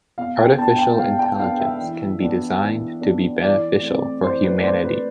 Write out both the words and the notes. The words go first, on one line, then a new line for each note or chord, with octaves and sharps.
Artificial Intelligence can be designed to be beneficial for humanity.
B2 F5
G5
B3 D4 A5
G5
B2 F5
G5
B3 D4 F5
E5
E3
B3 D4
E3
B3 D4
E3 D5
A3 C4
E3 C5
B4
D5
A3 C4 C5
B4